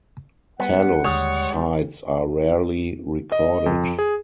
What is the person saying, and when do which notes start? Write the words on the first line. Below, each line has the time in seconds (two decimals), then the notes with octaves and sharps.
Talus sites are rarely recorded.
0.60 G3 B3 F#5
1.05 D#2 D3 G3 G#3 C#5
3.32 D#5
3.66 F2
3.99 G#4